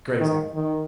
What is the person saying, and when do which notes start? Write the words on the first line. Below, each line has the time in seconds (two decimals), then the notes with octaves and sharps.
Great example.
0.20 D#3
0.55 D#3